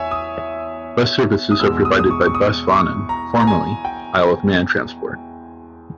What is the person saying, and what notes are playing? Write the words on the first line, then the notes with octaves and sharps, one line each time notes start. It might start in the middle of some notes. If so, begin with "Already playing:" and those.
Bus services are provided by Bus Vannin, formerly Isle of Man Transport.
Already playing: E2 C#5 E5 G#5
D#6
D#6
E2 B2 G#3 E6
D#6
D#6
C#6
C#6
D#6
C#6
A#5
A#5
G#5
G5